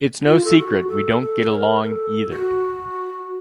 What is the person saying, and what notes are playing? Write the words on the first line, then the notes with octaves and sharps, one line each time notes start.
It's no secret we don't get along either.
F4
A4
F#4
A4
A4
C#5
A#4
A#4
A4
F#4